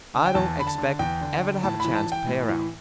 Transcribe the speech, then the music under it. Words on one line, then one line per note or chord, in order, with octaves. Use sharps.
I don't expect ever to have a chance to pay her out.
D3
G5
E2 A5
D3 B5
A5
D3
E2 G5
D3
D3
A2 A5
E3 B5
A5
E3
G5
A2
E3